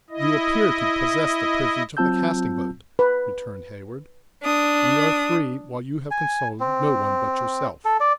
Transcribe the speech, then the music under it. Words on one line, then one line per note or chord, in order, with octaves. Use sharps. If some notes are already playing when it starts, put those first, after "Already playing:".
"You appear to possess the privilege of a casting vote," returned Heyward; "we are three, while you have consulted no one but yourself."
E4 D#5
F#3 C4 F4 A5 E6 G6
B4
D4 D#6
G#5
C4
A4
D5